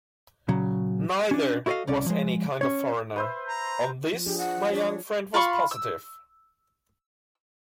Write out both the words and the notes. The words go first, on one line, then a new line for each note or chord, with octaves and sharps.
Neither was any kind of foreigner; on this my young friend was positive.
A#2 C#3 F#3
C#4 D4
E4 F#4 A4 D5 D#5 F5
C2 C#4 D5
F3 G#3
C#4 C#5
B4 C5 E5
A#5
F3
F3 D4 G4 G#4
F#5
D4 C#5
F4 F5 B5 C#6
E6